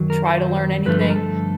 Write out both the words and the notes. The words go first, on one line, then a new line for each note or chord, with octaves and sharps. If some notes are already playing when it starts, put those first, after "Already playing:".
try to learn anything
Already playing: F#2 D#3 F#3
A#4
C5
G2 D3 F3 A3 B4
B4
A#4
A4